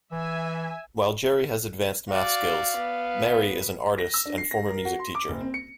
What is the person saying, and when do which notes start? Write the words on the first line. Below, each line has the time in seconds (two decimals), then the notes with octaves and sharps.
While Jerry has advanced math skills, Mary is an artist and former music teacher.
0.12 E3 E5 G#5
2.09 F#4 D5 F5
2.76 B3
3.98 A#6
4.14 E6
4.26 D4
4.38 C7
4.51 A#6
4.69 A#4
4.85 F#4
4.99 C6
5.15 D6
5.29 F#1
5.40 C4
5.54 C#7